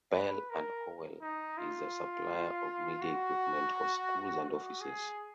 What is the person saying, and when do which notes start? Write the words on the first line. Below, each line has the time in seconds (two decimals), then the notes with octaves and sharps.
Bell and Howell is a supplier of media equipment for schools and offices.
0.14 B4
0.50 A#4
1.21 D#4
1.58 F4
3.01 F#4
4.45 F#4
4.81 G#4